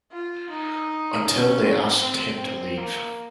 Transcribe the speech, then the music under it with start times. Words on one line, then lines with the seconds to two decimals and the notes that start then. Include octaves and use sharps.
Until they asked him to leave.
0.12 F4
0.50 D#4
1.26 C#4
1.64 C4
2.02 C4
2.39 C4
2.77 A#3